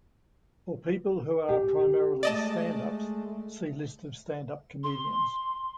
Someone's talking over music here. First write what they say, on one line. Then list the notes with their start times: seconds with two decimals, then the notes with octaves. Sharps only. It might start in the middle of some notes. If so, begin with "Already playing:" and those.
For people who are primarily stand-ups, see list of stand-up comedians.
1.49 G4
2.23 G#3 A3 D5 D#5 A5
4.84 C6